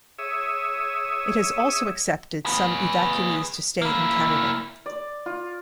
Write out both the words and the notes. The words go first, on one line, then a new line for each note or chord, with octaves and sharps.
It has also accepted some evacuees to stay in Canada.
G#4 C#5 E5 D#6 E6
G#4 B4
A#3 E4
D5
F4